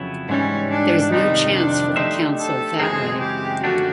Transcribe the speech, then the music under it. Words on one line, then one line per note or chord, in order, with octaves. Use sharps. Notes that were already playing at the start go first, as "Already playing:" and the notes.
There’s no chance for the Council that way.
Already playing: F2 C#3 F#3 B3 E4
G#2 E3 G3 C#4
D4
F2 C3 D#3 G3 D#4
D4
A3 D4 D#4 G4 C5 E5
A4
F#2 C#3 E3 G#3 C4 G#4
G4
F#2 D3 F3 A3 D4 F#4